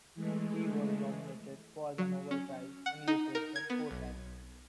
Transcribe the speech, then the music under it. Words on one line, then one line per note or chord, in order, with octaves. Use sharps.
He was nominated for the Nobel Prize in Literature four times.
E3 G#3 A3
F#3
C#4
F#5
D#4
A#4
G#6
B3
B1